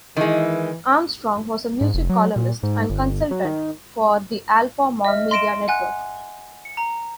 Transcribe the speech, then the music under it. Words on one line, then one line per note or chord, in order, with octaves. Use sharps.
Armstrong was a music columnist and consultant for the Alpha Mom media network.
D#3 E3 G#3
G#2
F1
F#3
A#2
G#2
G1
F#3
D#3
D#5 E5 F6
C6 A#6 D7 E7
F#5 G#5 F#6
C#7
A#5